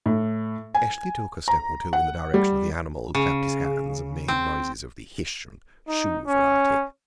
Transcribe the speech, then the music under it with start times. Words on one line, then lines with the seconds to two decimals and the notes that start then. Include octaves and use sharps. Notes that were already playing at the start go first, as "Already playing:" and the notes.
Eshley took a step or two in the direction of the animal, clapped his hands, and made noises of the “Hish” and “Shoo” variety.
0.06 A2
0.74 G#5
1.48 A#5
1.93 F#5
2.34 G3
3.15 C#3
4.28 C4
5.88 D#4
6.27 C#4